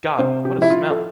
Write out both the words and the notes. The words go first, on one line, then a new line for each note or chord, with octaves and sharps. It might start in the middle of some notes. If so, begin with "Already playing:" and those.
God! What a smell!
C3 C5
G4
F3 E4
F4
A4